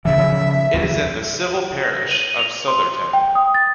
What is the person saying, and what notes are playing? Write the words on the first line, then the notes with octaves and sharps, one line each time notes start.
It is in the civil parish of Sotherton.
G2 C#3 E3 E5
C#3 F3 F#3
D#2 F#3
A#6
D#7
F7
C6
G5
D#6
A6